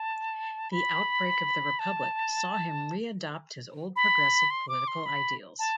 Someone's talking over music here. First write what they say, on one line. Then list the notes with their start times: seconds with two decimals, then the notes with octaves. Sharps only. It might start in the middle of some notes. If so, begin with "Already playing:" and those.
The outbreak of the Republic saw him re-adopt his old progressive political ideals.
Already playing: A5
0.71 B5
1.79 A5
3.96 B5
4.50 C6
4.69 D6
4.87 C6
5.06 B5
5.59 A5